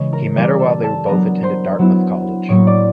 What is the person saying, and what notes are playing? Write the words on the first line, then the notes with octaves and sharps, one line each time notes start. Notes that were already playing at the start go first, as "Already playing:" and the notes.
He met her while they both attended Dartmouth College.
Already playing: C#3 E3 G#3 C#5 C#6
A#4 A#5
E3 G3 C4 E4 D5 D6
A4 A5
A4 A5
F#3 B3 D4 A#4 A#5
C5 C6
F#3 B3 E4
A2 F#3 A#3 C#5 C#6
D5 D6